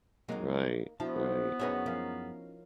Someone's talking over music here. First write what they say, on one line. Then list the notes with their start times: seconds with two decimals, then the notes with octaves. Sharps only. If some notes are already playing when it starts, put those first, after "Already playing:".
Right, right.
0.29 F#3 G#3 A#3 C4 D#4
1.00 F3 B3 D4 E4 F#4 A5
1.59 F#2 C#4 D#4 F#4 G#4 B4 C#5 E5
1.86 F3 C#4 A#4 F5